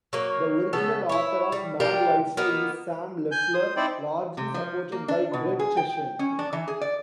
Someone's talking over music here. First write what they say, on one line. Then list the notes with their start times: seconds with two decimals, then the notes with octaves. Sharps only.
The original author of MadWifi is Sam Leffler, largely supported by Greg Chesson.
0.13 F#3 A#3 C#5
0.73 C#3 B3 A4
1.09 E4 C#5
1.52 G3
1.80 D4 F4 G4 A#4
2.37 A#3 B3 D#4
3.32 G#5 G6
3.54 C5 D#6
3.76 C4 D#4 E4 C5 D5 G5
4.37 C3
4.54 F3
4.92 A#3
5.08 D4
5.33 B2
5.59 G#4
5.77 G5
6.19 C#4
6.39 D4
6.53 E3
6.68 G#4
6.81 D5